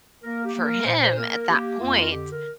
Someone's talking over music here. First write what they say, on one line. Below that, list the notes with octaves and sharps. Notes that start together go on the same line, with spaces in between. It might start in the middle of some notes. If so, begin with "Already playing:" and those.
for him, at that point
A#3 A#4
G4
A#3
A#4
A#2 C5
C5
A#3 A#4
A#3 G4
F2 F4
A#4
D3 G4
A#4